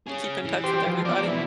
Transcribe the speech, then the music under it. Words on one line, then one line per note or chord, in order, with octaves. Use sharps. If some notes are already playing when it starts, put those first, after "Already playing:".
Keep in touch with everybody.
C#4 G#4
E3
G4 C5
F3
B3 A#4 D5
B2 E3 E4